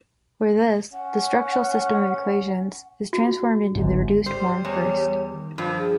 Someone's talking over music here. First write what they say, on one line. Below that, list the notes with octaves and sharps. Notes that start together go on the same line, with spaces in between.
For this, the structural system of equations is transformed into the reduced form first.
C#4 F#5
F#4
G1 G#2
G3 C5
E2 C#5
D#3
G2 F3
G#4